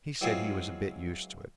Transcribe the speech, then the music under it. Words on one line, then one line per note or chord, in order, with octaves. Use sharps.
He said he was a bit used to it.
E3 F#3 G#3 C4 F4